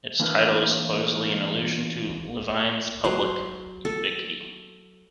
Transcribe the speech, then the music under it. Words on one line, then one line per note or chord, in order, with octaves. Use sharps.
Its title is supposedly an allusion to Levine's public ubiquity.
E3 A#3 D4 A#4 B4
F#3 C5
A4